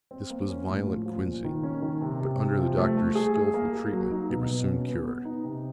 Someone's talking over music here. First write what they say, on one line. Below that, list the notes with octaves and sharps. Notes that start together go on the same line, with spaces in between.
This was violent quinsy, but, under the Doctor's skilful treatment, it was soon cured.
C4
A#3
C#4
A2
F3
F3
A#2
D#3
C#4
D#3
C3
C3
C3
F3
A3
A3
G#4
G#4
A#3
G#4
F#3
D#4
B2
B2
C#4
B3
B3
D#4
C3